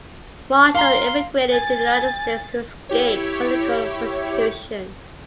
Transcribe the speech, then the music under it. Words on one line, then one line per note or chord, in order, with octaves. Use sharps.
Marshall emigrated to the United States to escape political persecution.
F5 A#5 C6
G#5 A6
E4 G4 C#5